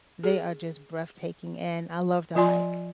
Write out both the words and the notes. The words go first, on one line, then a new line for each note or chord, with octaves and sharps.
they are just breathtaking, and I love to hike
G#4
F3 F4 D5 G#5 C6